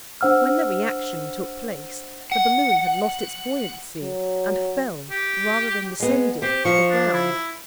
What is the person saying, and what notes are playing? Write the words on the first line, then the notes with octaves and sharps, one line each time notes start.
When the re-action took place, the balloon had lost its buoyancy, and fell, rather than descended, to the ground.
D4 C5 F#5 E6 F6
F#5
F#3
G4
G#3 B3
C4 G4
F3 C#6
D4
E4